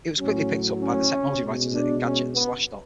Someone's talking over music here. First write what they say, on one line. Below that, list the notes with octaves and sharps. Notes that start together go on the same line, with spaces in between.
It was quickly picked up by the technology writers at Engadget and Slashdot.
A2 F#3 C#4
C#4
B2 G#3
D4
C#4
B3